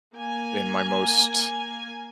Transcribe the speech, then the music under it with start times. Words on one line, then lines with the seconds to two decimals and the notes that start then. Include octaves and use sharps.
in my most
0.15 A#3 G#5